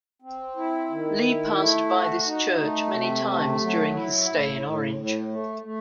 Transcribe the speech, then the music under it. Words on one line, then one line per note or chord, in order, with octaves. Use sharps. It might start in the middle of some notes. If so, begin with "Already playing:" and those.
Lee passed by this church many times during his stay in Orange.
C4
E4
D#3
E4
A3
F#4
D#4
A3
C3
A3
F#3
E4
A2
A2
A2
A3
A3